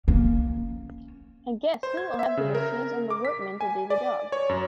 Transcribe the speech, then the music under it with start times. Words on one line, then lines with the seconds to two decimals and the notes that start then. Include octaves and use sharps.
And guess who will have the machines and the workmen to do the job?
0.08 A#3 C#4
1.83 C5
1.97 G#6
2.19 E5
2.37 C#3
2.55 A#4
3.10 D6
3.25 B6
3.61 G#5
3.90 D5
4.32 C#5
4.49 F#2